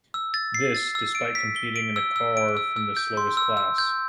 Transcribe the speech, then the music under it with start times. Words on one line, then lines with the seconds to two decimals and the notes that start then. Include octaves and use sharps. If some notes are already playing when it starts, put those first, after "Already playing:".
This, despite competing in a car from the slowest class.
0.14 E6
0.34 A6
0.54 C7
0.75 A6
0.95 E6
1.15 D7
1.35 B6
1.56 G7
1.76 D7
1.96 E6
2.16 E6
2.37 D7
2.57 E6
2.76 E6
2.97 G6
3.17 C6
3.37 E6
3.57 E6
3.78 G6